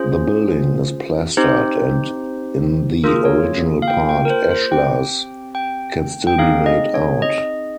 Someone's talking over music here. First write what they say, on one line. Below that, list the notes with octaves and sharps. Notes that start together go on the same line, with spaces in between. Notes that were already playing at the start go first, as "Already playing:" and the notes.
The building is plastered and in the original part ashlars can still be made out.
Already playing: C#4 F4 G#4 C5
C4 D#4 G4 C5
A#3 F4 G#4 A#4
C#5
F5
G5
G5
A#4
C5
C5
C4 G4 G5
G5
G5
C4 D#4 G#4 F5
D#5
C#5
D#5